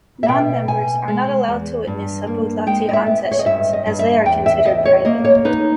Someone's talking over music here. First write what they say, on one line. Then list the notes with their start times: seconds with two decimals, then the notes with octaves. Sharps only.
Non-members are not allowed to witness Subud "latihan" sessions as they are considered private.
0.23 E5
0.28 B2 G5
0.68 B2 G#5
1.08 G#3
1.48 E2
1.87 G2
2.27 A#3
2.67 G#3 G5
2.89 D#5
2.93 E5
3.06 B3
3.31 C#5
3.39 D#5
3.46 G2 E5
3.73 D#5
3.86 G2
3.99 E5
4.25 E2 G5
4.46 E5
4.65 E2 D#5
4.85 C#5
5.05 A#3 D#5
5.24 C#5
5.45 D#4 B4